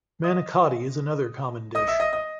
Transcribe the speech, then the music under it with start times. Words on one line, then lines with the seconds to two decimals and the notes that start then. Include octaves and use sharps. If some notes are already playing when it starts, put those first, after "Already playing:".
Manicotti is another common dish.
0.24 D#5 D#6
1.75 D#5 D#6
1.88 E5 E6
2.00 D#5 D#6
2.13 D#5 D#6